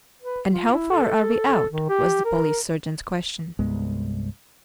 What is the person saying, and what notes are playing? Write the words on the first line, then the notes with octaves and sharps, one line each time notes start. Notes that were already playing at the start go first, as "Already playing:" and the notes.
"And how far are we out?" was the police sergeant's question.
B4
F4
E4
A4
A4
D#3
G4
A#4
C2 G2 G#3 B3